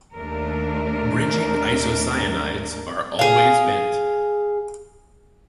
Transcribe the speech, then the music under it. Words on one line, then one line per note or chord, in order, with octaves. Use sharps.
Bridging isocyanides are always bent.
D#2 A3 D4 A#4
G#4 F5